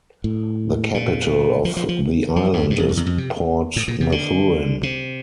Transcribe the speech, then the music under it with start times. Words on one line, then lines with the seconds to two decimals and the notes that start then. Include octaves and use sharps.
The capital of the island is Port Mathurin.
0.24 A2
0.94 A#2
1.65 F3
1.77 F3
1.89 F3
2.36 F3
2.53 G2
2.70 G2
2.79 E2
2.89 F2
2.97 E2
3.06 F2
3.18 C3
3.76 A2
3.88 A#2
4.01 C3
4.12 D3
4.83 C3